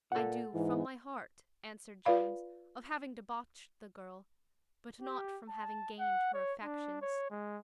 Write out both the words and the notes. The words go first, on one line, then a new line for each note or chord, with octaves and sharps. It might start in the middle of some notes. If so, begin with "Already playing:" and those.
"I do, from my heart," answered Jones, "of having debauched the girl, but not from having gained her affections."
A#2 A4 F#5
G#2 E3
F4 B4 D5 F5 B5
G4
A5
F#5
C#5
D4
C#5
G#3